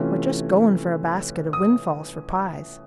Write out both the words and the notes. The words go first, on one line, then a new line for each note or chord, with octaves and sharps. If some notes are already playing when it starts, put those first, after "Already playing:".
We're just goin' for a basket of wind-falls for pies.
Already playing: C3 E3 A3 C#4 F4
D#6